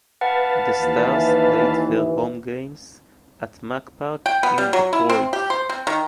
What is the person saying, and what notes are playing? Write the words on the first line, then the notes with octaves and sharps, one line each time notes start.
The Stars played their home games at Mack Park in Detroit.
B4 F5 F#5 A5
D#2 E3
G5
B3
G3
F#3
E4
C4
G4
C5
C4
D#3